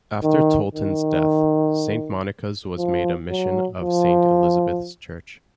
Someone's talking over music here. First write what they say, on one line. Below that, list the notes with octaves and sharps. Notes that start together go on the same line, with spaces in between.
After Tolton's death, Saint Monica's was made a mission of Saint Elizabeth's Church.
D#3
D#3
F3
F#3
F3